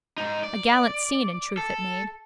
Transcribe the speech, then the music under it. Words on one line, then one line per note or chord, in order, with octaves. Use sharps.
A gallant scene in truth it made.
G#2 D#4
D5
A4